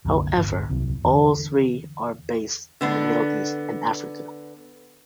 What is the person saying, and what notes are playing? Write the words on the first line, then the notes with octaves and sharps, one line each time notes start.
However, all three are based in the Middle East and Africa.
C2 F#2 D3 A#3
D1 G1
D#1 C2 C3 F#3
E2 D3
D3 B3 D4